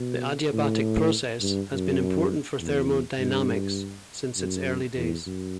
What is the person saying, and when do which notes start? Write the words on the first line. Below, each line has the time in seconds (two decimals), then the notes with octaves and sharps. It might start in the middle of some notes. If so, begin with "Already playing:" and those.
The adiabatic process has been important for thermodynamics since its early days.
Already playing: B2
0.52 A2
1.41 G2
1.71 F#2
2.60 E2
3.19 G2
4.37 F#2
4.97 E2
5.26 F#2